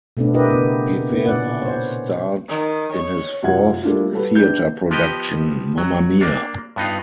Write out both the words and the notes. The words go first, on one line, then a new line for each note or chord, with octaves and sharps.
Rivera starred in his fourth theater production, Mamma Mia!
B2 A3 B3 C4 D4
D4 E4 G4 A#4 B4 D#5
C#3 B3
B3 E4
A#2 C#4 D5 F#5
C5 C#5
D#3
C#5
F#2 C3 F4 F#5 G#6
G3 A3 A#3 D4 E4 F4
G3 F#4 A4 B4
A#1 D4 B4 G6
F3 B3 G4 D#5
F#3
A#3 D4
G2 B3 D#4 F4